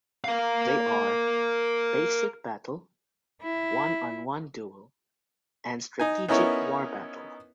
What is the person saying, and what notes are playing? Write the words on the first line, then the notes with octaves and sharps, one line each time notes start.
They are: 'Basic Battle', 'One-on-one Duel' and 'Strategic War Battle'.
A#4 F5
E4
D#4 G#5
B3 C#4 D#4 E4 A#4 C#5